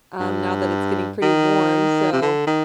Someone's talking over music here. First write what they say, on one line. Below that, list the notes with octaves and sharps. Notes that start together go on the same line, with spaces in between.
um, now that it's getting pretty warm, so,
G2
D#3
C3
D3
D#3